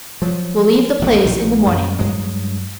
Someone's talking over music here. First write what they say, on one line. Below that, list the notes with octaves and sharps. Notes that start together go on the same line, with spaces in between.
We'll leave the place in the morning.
F3 F#3
A1 D2 G#3 A3
A#1 A2 D#3
F#2
G2 F#3 G#3